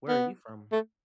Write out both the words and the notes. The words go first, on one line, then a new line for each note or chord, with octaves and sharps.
Where are you from?
B3
A3